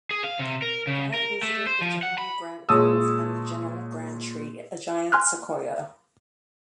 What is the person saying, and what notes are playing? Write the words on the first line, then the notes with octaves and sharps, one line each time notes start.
Grant visited the General Grant Grove and the General Grant tree, a Giant Sequoia.
G#4
F5
C3
A#4
C#3
A#4
A3
C5
F3
F#5
B5
A#2 G#3 C#5 A5 D#6 E6
G#5 C6 F6 F#6